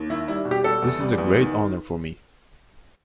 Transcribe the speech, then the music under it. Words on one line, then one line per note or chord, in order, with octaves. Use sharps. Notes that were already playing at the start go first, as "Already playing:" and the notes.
This is a great honour for me.
Already playing: D#2
D#3 E4
G3 E4
B2
G4
G3 A4
E2
G3
E2
D#3